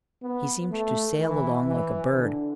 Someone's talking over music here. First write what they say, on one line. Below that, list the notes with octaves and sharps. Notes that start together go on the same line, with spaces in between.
He seemed to sail along like a bird.
B3
A3
E3
E3
D3